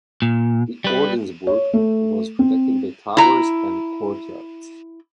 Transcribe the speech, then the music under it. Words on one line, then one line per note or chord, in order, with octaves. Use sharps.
The Ordensburg was protected by towers and courtyards.
A#2
G3 B4
C#5
A3
C4
E4 A#5